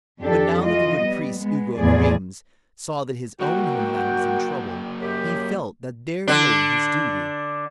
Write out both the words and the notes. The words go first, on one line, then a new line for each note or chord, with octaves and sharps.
But now that the good priest Ugo of Rheims saw that his own home land was in trouble, he felt that there lay his duty.
F2 D4 G4 A4
E3 F4 D#5
G3 B3
G#3 B3
E2 A2 F3 G#4 D5
F#3 A#3 F#4 A#4 F#5 G5
F#2 G4
D3 D4